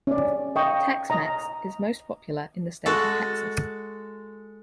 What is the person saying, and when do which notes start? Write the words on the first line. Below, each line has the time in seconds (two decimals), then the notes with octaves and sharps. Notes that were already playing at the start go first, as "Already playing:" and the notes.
Tex-Mex is most popular in the state of Texas.
0.07 C#4 D5
0.56 D#5 F5 G5 C#6
1.10 D#5 A#5
2.86 G#3 F#4 A4